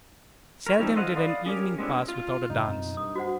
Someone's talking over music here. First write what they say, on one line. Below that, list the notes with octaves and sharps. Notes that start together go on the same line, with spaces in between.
Seldom did an evening pass without a dance.
A#4 C#5
F3 G3 C4 D#4 E4
A4 C5 D#5 F5 F#5
D5 F5 B5 D#6
C#4 G4 A#4 C#5
G#3 B3 C4 D4 E4
F4
G2 C#3 D#4
F#2 B2 C4
G2 D#6
F#4 C5 F#5